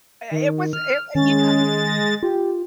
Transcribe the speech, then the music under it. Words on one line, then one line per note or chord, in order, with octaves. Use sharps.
Eh it was i you kn
D#3
F6
D#3 G#3 C#4 A6
A#6
F4 G4